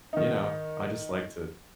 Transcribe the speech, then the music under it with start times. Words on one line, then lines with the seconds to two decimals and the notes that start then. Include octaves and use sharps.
you know, I just like to
0.13 D#3 D#4